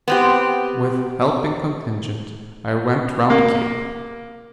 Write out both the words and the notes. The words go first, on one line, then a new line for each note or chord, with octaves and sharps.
With helping contingent I went round the Cape.
B3 C4 G4
A#3